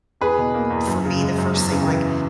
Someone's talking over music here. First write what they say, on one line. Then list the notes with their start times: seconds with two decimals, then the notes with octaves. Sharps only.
u m for me the first thing, like,
0.21 E2 G#4 B4
0.38 B2
0.54 A#3
0.70 E2
0.87 F#2
1.05 C#3
1.21 G#3
1.38 F#2
1.54 E2
1.72 C#3
1.88 E3